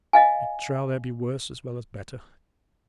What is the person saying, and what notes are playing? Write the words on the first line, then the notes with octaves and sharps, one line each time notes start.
"It trow there be worse as well as better."
D#5 F5 G#5